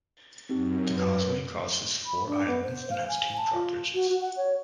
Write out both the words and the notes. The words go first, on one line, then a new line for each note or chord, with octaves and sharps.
The causeway crosses four islands and has two drawbridges.
F#2 C4 D#4 G4
B4
B5
D4
B3
C5
F5
G#5
A5
F4
F#4
F#4
F#5
C#5